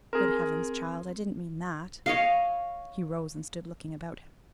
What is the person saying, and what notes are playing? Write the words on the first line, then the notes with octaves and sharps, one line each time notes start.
"Good heavens, child, I didn't mean that!" He rose and stood looking about him.
C4 G#4 A#4
C#5 D#5 F5